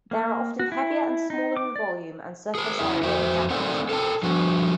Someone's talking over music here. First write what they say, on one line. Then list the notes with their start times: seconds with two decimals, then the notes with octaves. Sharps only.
They are often heavier and smaller in volume and surface area than Japanese handles.
0.11 A#3
0.59 F#4
0.72 E4
1.30 D#4
1.57 D6
1.76 D5
2.55 G#4 A#4
2.79 C#3 E4 G#4 E5
3.03 F2 F#4 C5 E5
3.50 A3 C4 D#4 A#4 D5 F#5
3.89 A4 A#4 E5 G5 A5
4.23 F3 G3 D4 F#4